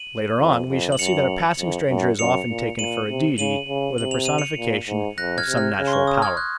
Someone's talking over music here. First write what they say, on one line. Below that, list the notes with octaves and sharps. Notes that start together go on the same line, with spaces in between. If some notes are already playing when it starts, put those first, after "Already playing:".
Later on we shall see that a passing stranger is often taken for a deity or the personification of some natural power.
Already playing: D#7 F#7
F2
F2
F#7
F#2 C#7 F7
F2
F#2
F#2 C#7 F7
A#2
A#2 D#7 F#7
C3
C#3 D#7 F#7
C#3
C3 F#7
F7
D#7
C#7 F7
A#2
G#2
F2 F#6 A#6
F6 G#6
C3
F6
C#3
C6
C#6
D#6
F6 G#6
F#6